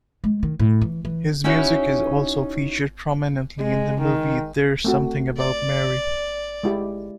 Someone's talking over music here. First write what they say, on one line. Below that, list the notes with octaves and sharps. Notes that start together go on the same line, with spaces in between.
His music is also featured prominently in the movie "There's Something About Mary".
G#3
D#3
A2
E3
E3
C#4 D#4 E4 F#4 C#5
G#3
D#3
A3 C4 F#4
D5
G#3 E4 G4